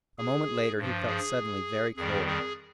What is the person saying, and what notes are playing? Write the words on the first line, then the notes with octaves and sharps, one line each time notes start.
A moment later he felt suddenly very cold.
G#4
G2 F3
G#4
F2 D#3 G3 G#4
G#4